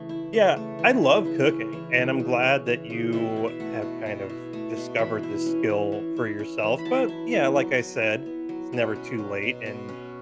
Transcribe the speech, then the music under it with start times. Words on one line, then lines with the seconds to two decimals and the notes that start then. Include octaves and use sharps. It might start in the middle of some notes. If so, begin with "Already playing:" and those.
Yeah, I love cooking, and I'm glad that you have kind of discovered this skill for yourself, but, yeah, like I said, it's never too late, and,
Already playing: C#3 E3 A3
0.09 E4
0.33 C#3
0.56 A3
0.79 E3
1.03 E4
1.25 C#3 B4
1.49 C#4
1.73 E3
1.96 C#3
2.20 C#3
2.43 C#4
2.66 E3
2.90 C#3
3.13 B2 E5
3.36 E4
3.48 E5
3.60 A3 F#5
3.82 B2
4.06 B2
4.29 E4
4.53 A3
4.76 B2
4.99 E3 B5
5.23 E4
5.46 C#4
5.70 E3
5.92 E3
6.16 E4
6.39 C#4
6.63 E3
6.79 B5
6.85 F#3 A5
7.09 E4
7.33 B3
7.55 F#3
7.79 F#3
8.02 E4
8.26 B3
8.49 F#3
8.72 B2 F#5
8.95 C#4
9.18 F#3
9.43 B2
9.66 B2
9.88 C#4